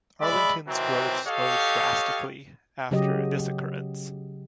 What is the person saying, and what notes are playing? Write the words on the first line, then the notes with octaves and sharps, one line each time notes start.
Arlington's growth slowed drastically after this occurrence.
G#3 D5 E5 B5
C3 D#3 E3 F#3 C4
G4 A4 C#5 D#5 F5
C#3 F#3 G4 D#5